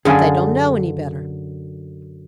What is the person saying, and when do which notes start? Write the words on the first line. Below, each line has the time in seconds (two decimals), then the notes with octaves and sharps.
'But they don't know any better.
0.05 F#2 D3 G#4 F5 G#5